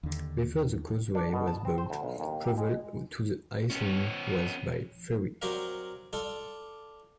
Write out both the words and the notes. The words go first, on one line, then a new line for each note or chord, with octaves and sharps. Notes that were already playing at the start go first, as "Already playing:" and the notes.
Before the causeway was built, travel to the island was by ferry.
D#2 D3
D4
B2
A5
C4
C5
D2
B1
D#2
G4
G#3
B3 C#4
F#3 C4 F#4 A#4 D5 F5
D4 F4 A4 D5